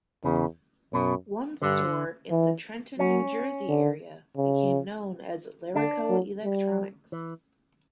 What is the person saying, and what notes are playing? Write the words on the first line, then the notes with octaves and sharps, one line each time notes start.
One store in the Trenton, New Jersey area became known as "Laraco Electronics".
E2 C#3
F#2 B2
G2 D3
E3
F#3 C#4
D3
C#3
D3 D4
F#3
G3
E3